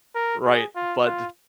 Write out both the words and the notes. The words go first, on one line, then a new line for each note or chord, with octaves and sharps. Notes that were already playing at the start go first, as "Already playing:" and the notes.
Right. But d
A#4
G#4
F4
F4